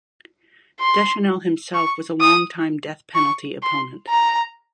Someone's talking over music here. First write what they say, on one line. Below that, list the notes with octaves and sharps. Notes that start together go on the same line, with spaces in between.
Deschanel himself was a longtime death penalty opponent.
C6
C#6
D#6
C#6
C6
A#5